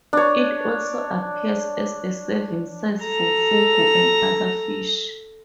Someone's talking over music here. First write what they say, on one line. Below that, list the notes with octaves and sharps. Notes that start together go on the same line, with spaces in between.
It also appears as a serving size for fugu and other fish.
D4 C#5
A4 A#5